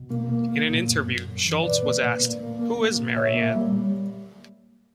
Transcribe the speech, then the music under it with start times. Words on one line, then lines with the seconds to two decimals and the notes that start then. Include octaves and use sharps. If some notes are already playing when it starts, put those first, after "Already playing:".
In an interview Scholz was asked, Who is Marianne?
Already playing: B2
0.10 A#3
0.30 A#3
0.49 A#3
0.69 A#2
0.87 F#2
1.06 F#2
1.25 F#2
1.45 E3
1.63 A#2 B4 D5
1.83 A#3
2.02 A#2
2.21 A#3
2.40 A#3
2.59 A#3
2.79 A#3
2.96 A#2
3.16 A#2 C#5 E5
3.35 A#3
3.55 G3